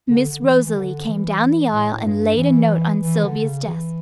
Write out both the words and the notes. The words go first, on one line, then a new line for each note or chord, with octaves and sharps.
Miss Rosalie came down the aisle and laid a note on Sylvia's desk.
D3
D3
E3
E3
D3
E3
E3
A2
G2
E3
E3
D3
C#3
E3